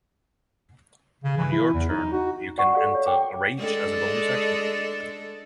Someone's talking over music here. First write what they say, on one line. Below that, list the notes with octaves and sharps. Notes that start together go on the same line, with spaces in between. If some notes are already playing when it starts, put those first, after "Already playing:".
On your turn, you can enter a rage as a bonus action.
C#3
E3
E4
E2
D#4
F#4
D5 F#5 C#6
A4 D5 F5
C#5
G5 D6
G#3 D4 A4